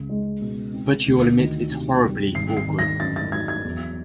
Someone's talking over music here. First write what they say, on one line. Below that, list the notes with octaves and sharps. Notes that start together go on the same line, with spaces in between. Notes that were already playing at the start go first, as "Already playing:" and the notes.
But you’ll admit it’s horribly awkward.
Already playing: C#2
G#3
B2
C4
D2
D#3
C3
G3
G#1 C7
C7
D#3
A#6
F#2 A6
A6
F#3 G#6
G#6
E2